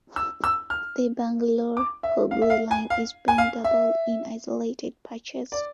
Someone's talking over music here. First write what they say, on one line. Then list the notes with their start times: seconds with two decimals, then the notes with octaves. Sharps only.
The Bangalore-Hubli line is being doubled in isolated patches.
0.16 E6
0.44 E6
0.70 F6
1.77 D6
2.03 E5
2.31 F5
2.42 E5
2.50 F5
2.71 G#5
2.90 F5
3.28 G#5
3.38 F5
3.64 E5
5.52 D5